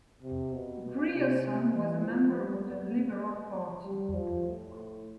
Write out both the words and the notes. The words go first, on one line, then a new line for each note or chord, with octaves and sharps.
Grierson was a member of the Liberal Party.
C3
B2
B2
C3
E3
F3
G3
B3
G3
F3
A2
A2